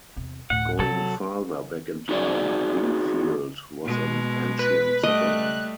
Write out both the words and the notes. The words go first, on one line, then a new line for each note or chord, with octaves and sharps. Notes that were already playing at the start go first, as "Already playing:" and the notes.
Going further back in time, Bingfield was an ancient settlement.
E2 C3
D2 A2 F#5
C3 F#3 A4
D#4 F#4 G#4 D5
B2 G#3
B4
G3 A3 D#5 F#6